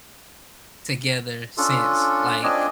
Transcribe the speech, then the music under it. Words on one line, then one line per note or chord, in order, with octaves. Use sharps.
together since, like,
C#4 D4 F4 A4
C4 D4 F4 D5 D#5 G#5